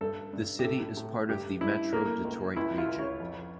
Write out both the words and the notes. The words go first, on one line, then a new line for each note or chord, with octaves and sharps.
The city is part of the Metro Detroit region.
G2 A4
G2
G4
A2 A4
A2
G2 G4
G2 E4
A3 A#3
C#2
C#2 E4
F4
C#2
C#5
F2